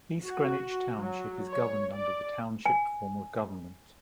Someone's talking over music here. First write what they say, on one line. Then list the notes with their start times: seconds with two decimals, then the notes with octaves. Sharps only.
East Greenwich Township is governed under the Township form of government.
0.24 F#4
1.00 F#3
1.51 C#5
1.96 D5
2.66 G#5